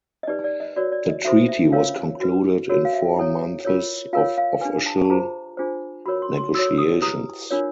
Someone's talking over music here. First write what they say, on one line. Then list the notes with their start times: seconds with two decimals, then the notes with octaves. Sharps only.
The Treaty was concluded in four months of official negotiations.
0.23 D#5
0.27 D#4 G4 B4 D5
0.44 D5
0.60 D#5
0.76 F#4 A#4 C#5 D5
0.92 D5
1.09 D#5
1.25 D#4 F#4 A4 C5 E5
1.48 E5
1.72 C#4 F4 A#4 C#5 F5
2.20 F#4 B4
2.69 F#4 A#4 C#5
2.85 F5
2.93 E5
3.16 E4 A4 C#5
3.65 F4 A#4 C#5
4.13 F4 A#4 C#5 F5
4.38 F5
4.61 D4 G4 B4 G#5
4.86 A5
5.05 A5
5.10 F4 G#4 C5 A#5
5.57 D4 F4 G#4 C5
6.06 F#4 A#4 C#5 B5
6.22 C6
6.38 C6
6.54 F#4 A4 C#5 E6
6.78 D#6
7.02 E4 G4 B4 D#6
7.51 D4 F4 A#4 C#5